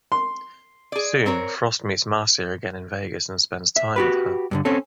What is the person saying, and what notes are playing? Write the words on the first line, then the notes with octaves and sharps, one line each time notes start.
Soon frost meets Marcia again in Vegas and spends time with her.
C6
G#4 D5
C4 A#4 C#5
E5
F#4 G4 B4
G2 A#2 D3
C4 C#4 A4